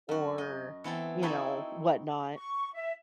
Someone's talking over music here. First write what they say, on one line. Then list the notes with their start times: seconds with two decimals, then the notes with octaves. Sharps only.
or, you know, whatnot,
0.09 F#2 F#4
0.38 D#5
0.84 E3 B3 C4 A4
1.22 C4 D#4 E4 F#4 A4 G#5
2.36 C#6
2.74 E5